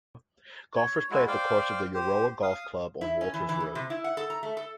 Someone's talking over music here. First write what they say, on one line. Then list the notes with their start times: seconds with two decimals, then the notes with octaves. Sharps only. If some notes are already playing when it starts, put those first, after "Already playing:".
Golfers play at the course of the Euroa Golf Club on Walters Road.
0.76 C#5
1.11 G#3 E4 F#4
1.28 C5 D5 F5 G5
1.94 G4 C5
2.43 F5 D#6
3.01 E4
3.21 C#4
3.34 E3
3.49 E3
3.60 E3
3.75 C3
3.90 E4
4.04 F#5
4.17 A4
4.30 A#5
4.43 A3
4.57 A4